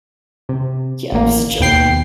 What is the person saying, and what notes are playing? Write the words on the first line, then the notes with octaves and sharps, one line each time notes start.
Yeah, it was a joke.
C3
A1 A#3
D#2 B2 G5 C7